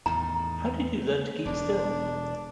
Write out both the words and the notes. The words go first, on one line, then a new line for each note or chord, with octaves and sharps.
How did you learn to keep still?
E2 A2 D#3 A#5
E1 B2 D4